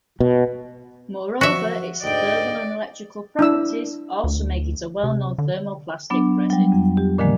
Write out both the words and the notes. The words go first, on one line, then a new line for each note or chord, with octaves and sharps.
Moreover, its thermal and electrical properties also make it a well known thermoplastic resin.
B2
F3 F#3 F#4 E5 F#5
D2 G#2 D5 D#5 G5
D4 E4 E6
D2
C3
D3
F#3 B3 D4
F#3 G3
F2
G4
A#2 D3 D#3 F3 G#3 A#3